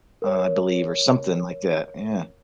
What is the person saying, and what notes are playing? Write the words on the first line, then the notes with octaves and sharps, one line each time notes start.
I believe, or something like that. Yeah.
A#4 C#5